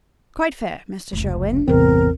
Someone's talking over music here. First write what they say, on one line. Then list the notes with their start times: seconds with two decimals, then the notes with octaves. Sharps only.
"Quite fair, Mr. Sherwin."
1.13 F1 C#2
1.68 A1 E2 G2 C3 C4 A#4